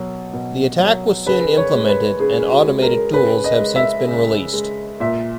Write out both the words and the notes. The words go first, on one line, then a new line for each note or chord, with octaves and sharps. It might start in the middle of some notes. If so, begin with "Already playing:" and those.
The attack was soon implemented, and automated tools have since been released.
Already playing: B2 F#3
B2
F#3
C#3 B4
C#5
G#3
B4
C#3 G#4
F#4
G#3
A#4
C#3 B4
D#5
G#3
E5
C#3
G#3
A#2 E5